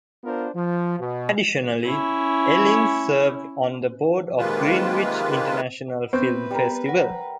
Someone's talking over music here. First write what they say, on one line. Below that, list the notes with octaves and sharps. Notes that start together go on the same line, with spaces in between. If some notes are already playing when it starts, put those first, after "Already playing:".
Additionally, Ellin serves on the board of the Greenwich International Film Festival.
B3 D4 F4 A#4 C5
F3
B2
C#4 E4
C3 D#3 G#3 A#3 F4 B4
B3 C4 B4 B5 G6
G3 A#4
F#5 A#6